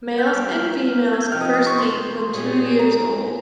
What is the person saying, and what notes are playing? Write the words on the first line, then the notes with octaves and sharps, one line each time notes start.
Males and females first mate when two years old.
G6
G3 A#3 C#4 G4 A#4 F6
G#6
G6
C3 F3 C4 D#4 G4 F6
D#6
D#6
C#6
C6
A#2 G3 C#4 G#4
A#5